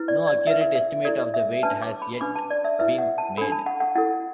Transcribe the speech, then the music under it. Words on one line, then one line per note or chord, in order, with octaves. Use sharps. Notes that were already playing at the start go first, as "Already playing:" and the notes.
No accurate estimate of the weight has yet been made.
Already playing: E4 B4
D5
D5
E4 B4 E5
E5
E5
E4 A4 D5
E5
D4 B4 A5
D6
B5
D4 B4 D6
A5
D5
E5
E4 B4 E5
F#5
A5
D4 A4 B5
A5
F#5
F#5
E4 A4 F#5